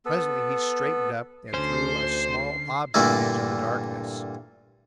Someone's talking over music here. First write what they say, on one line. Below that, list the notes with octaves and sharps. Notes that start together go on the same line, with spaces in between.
Presently he straightened up and threw a small object into the darkness.
B3 A4
D2 D3 C#4 C5 C7
G2 A#2 D3 A3 A#3 E4